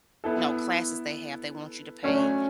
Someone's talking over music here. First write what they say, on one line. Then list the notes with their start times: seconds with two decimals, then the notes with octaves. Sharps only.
no, classes they have, they want you to pay,
0.24 B3 E4 A4
2.03 F#3 A3 C#4 D4